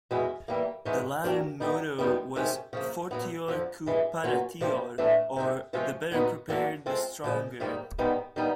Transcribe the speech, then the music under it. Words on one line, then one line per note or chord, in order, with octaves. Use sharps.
The Latin motto was "Fortior quo paratior" or "The better prepared, the stronger".
E2 B2 G#3 C#4 E4
E3 G3 A#3
G#2 E3 G#3 C#4
F#3 A#3 D4 G4 A#4
G3 B3 D#4
F#2 D#3 G3 B3
C3 D#3 G#3 C#4
C#3 F3 A#3
A#2 F#3 B3
F2 D3 F3
G2 E3 G#3
B2 F#3 A#3 C#4 F4
C3 F3 A#3 D4 G4
A2 E3 A3 D4
C3 D#3 G#3
C3 F3 G#3 C#4 F4
A#2 F#3 B3 D#4 F#4
D3 F#3 A#3 D4 F#4
G#3 C4 F4 A4
A#2 F3 G#3
G#2 D#3 G3 A#3
G#2 D#3 G3 B3 D#4
D#3 G3 B3 D#4